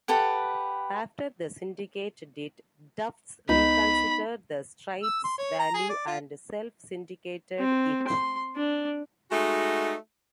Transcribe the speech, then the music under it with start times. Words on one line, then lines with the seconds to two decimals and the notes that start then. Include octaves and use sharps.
After the syndicate did, Tufts reconsidered the strip's value and self-syndicated it.
0.08 G4 A4 B4 F#5
3.49 C#2 B3 D#4 B5
5.03 E6
5.24 C6
5.38 C#5
5.59 A#5
5.74 G#4
5.89 D5
6.07 F4
7.59 C4
8.08 C6
8.56 D4
9.30 G#3 A3 D#4 F#4